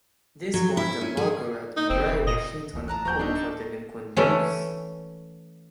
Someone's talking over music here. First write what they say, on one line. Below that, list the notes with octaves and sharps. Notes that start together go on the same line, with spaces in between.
This was the Margaret Murray Washington Home for Delinquent Youths.
F#3
E4
C#4
G#4
D#4
F1 C4
A#2 D#5
D1 A1 A2
A5 A#5 F#6
D#1 F#4 G4 F#5 A#5 G6
D4 D#4 F#4 E5
A5 C#6
E3 A3 C#4